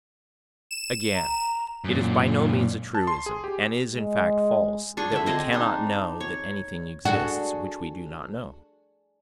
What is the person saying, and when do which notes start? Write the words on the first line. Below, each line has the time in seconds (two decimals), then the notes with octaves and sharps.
Again, it is by no means a truism, and is in fact false, that we cannot know that anything exists which we do not know.
0.71 E7
1.14 A#5
1.84 F#2 A#2
2.95 A5
3.07 C6
3.26 G#4
3.44 G4
3.91 G#3
4.97 D4 G#4 C#6
5.12 D3 E5
5.26 C4 G#4 D#5
5.53 D4 D#4
6.20 C#5
7.05 D4 F#4 G#4 A4